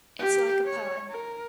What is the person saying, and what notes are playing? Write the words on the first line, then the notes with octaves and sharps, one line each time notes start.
It's like a poem.
G4
C#5
A#4